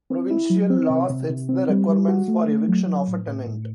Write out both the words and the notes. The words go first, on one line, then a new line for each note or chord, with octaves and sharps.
Provincial law sets the requirements for eviction of a tenant.
C4
E4
F#3
C4
C3
C3
C3
C4
G3
G3
F#4
A3
A3
F#3
F#3
A2
A2
A2